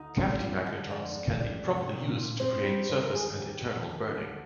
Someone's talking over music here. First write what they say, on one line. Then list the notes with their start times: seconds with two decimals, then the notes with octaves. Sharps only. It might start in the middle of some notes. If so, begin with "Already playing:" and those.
Cavity magnetrons can be improperly used to create surface and internal burning.
Already playing: D2 D#4
0.16 C4
0.41 G3 F4
0.66 D3 D#5
0.91 F2 D5
1.15 F2
1.40 G3 D5
1.65 C3
1.90 A#2
2.15 A#2
2.39 C4 C5
2.64 G3
2.89 D#2 C5
3.02 A#4
3.14 D#2 G#4
3.27 G#4
3.39 A#3 G4
3.64 D#3
3.89 D2
4.13 D2